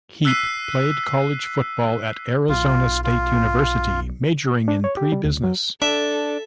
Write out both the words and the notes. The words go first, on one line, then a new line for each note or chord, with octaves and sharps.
Heap played college football at Arizona State University, majoring in pre-business.
E6 F#6 B6 C7 D#7
B1 F4
F4
D4
C#5
G4
G3
D2
F#3
D4 A4 E5